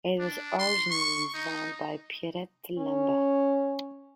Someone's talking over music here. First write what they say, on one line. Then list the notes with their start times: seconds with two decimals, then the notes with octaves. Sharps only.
It was originally designed by Pierrette Lambert.
0.20 D4
0.59 C6
0.91 C#6
1.34 D#4
2.78 C#4